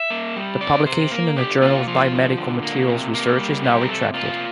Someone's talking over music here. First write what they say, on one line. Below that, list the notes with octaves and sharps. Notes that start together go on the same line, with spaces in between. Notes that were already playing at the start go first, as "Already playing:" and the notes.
The publication in the Journal of Biomedical Materials Research is now retracted.
Already playing: E5
A#3
G3
C3 D5
C3 C5
A#3 A#4
D3 G4
A#3 F4
F3 F4
D3
D3
A#3
C3
A#3
G3
C3 G4
A#4
C3 A4
A#3 F4